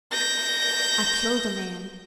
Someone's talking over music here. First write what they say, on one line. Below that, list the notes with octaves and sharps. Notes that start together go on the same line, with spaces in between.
I killed a man.
G6 A#6